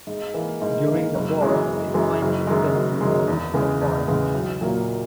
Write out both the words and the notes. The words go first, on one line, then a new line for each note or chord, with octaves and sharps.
During the war it finally fell to Maurice of Orange.
G#2
E3 A#3
G#2
E3 A#3
F#1
F#2 E3 G#3
F#1
F#2 E3 G#3
F#1
F#2 D#3 G#3
F#1
F#2 D#3 G#3
E2
C#3 E3 G#3 B3
E2
C#3 E3 G#3 B3
B1
A#2 F#3 A#3 E4